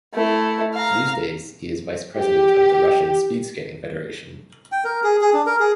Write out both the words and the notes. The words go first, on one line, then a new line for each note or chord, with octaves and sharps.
These days, he is vice-president of the Russian Speed Skating Federation.
A3 E4
F5 A#5
G4
G5
A#4
G#4
G#4
D4
A#4
G#4